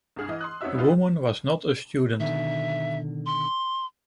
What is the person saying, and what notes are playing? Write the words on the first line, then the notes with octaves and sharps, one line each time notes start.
The woman was not a student.
C2 G2 G#4 F6
E3 D#5
C6 D#6 F#6
F2 C#4 D#4 F#4 E5 E6
E3 B3 D#4 F4 F#4 B4
B2 D3 D#3 E5
C6